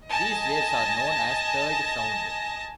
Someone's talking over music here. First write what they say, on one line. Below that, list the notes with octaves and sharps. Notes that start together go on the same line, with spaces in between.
These waves are known as third sound.
D#5 G#5 A5 A#6